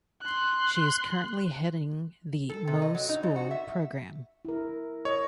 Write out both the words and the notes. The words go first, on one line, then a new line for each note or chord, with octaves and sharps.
She is currently heading the "Mo school" programme.
C6 F#6
A4
C3
D#5
F#3
D#4
F2
F#4
E5
E4 A#4
C#5 D#5